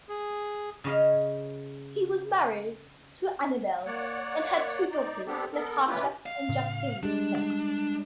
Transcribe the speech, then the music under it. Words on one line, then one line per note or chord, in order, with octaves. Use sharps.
He was married to Annabel, and had two daughters, Natasha and Justine.
G#4
C#3 D#5 F5
A#3 C#5 D5 F#5
D#4 D5
B3 C4 D4 G4 A4
B3 A4 A#4
C#4 E4 F4 G4 B4
F5
A2 C#3
G3 G#3 D4